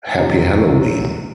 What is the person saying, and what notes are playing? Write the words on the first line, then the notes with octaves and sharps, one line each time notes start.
Happy Halloween!
F#2 C3 D#3 F3